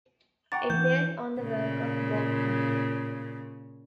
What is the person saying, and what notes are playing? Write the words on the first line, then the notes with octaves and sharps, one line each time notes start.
It built on the work of Bob Muns.
F#5 G5 A#5 C#6 D6 A6
E3 G6
A#2 C#3